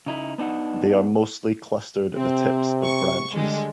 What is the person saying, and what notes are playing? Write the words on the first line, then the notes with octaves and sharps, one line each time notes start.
They are mostly clustered at the tips of the branches.
C#3 D#4 E4
B3 D4 D#4 F#5
C3 C4
C#6
D3 G3 G#3